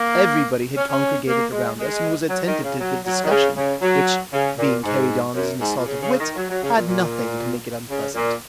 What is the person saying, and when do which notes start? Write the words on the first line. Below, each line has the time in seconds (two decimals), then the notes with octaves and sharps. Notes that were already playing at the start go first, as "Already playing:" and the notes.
Everybody had congregated around us and was attentive to the discussion, which, being carried on as an assault of wit, had nothing to make it unpleasant.
Already playing: A#3
0.76 C#4
0.89 C#4
1.27 A#3
1.52 G#3
1.77 G#3
2.28 F#3
2.45 D#3
2.63 C#3
2.79 F#3
3.04 F#3
3.24 D#3
3.30 C#3
3.56 C#3
3.81 F#3
4.32 C#3
4.58 A#2
4.83 G#2
5.34 F#2
5.59 G#2
5.76 A#2
5.85 C#3
6.02 C#3
6.19 D#3
6.36 F#3
6.49 F#3
6.62 C#3
6.74 A#2
6.87 A#2
7.89 C#3
8.15 A#2